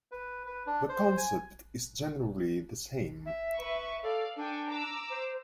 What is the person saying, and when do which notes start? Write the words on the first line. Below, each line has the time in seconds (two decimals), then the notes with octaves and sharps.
The concept is generally the same.
0.12 B4
0.46 B4
0.67 D4
0.89 C5
1.17 G#5
3.26 E5
3.56 B4 C#6
4.03 A4 D5 F5
4.36 D4 A4 G5 G#5
4.67 A#5 D6 E6
5.10 C5